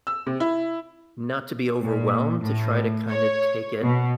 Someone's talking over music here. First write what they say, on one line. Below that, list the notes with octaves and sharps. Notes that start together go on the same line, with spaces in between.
not to be overwhelmed, to try to kinda take it,
E6
C3
E4
A#2
A2
C#5
B2